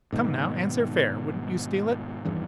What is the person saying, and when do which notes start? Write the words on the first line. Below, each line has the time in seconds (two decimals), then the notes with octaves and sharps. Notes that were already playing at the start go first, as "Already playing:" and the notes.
Come, now, answer fair--wouldn't you steal it?
0.12 G#2 B2 D#3
2.25 G#1 E2 G2 E3